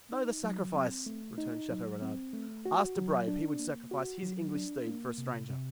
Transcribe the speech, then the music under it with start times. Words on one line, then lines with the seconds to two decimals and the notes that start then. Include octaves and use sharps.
"No, the sacrifice," returned Chateau-Renaud; "ask Debray if he would sacrifice his English steed for a stranger?"
0.12 D#4
0.43 F#3
0.75 C4
1.06 A3
1.38 D#4
1.70 F#3
2.01 C4
2.33 A3
2.66 F#4
2.96 F#3
3.28 D4
3.59 A#3
3.91 F#4
4.23 F#3
4.55 D4
4.86 A#3
5.18 C3
5.50 C3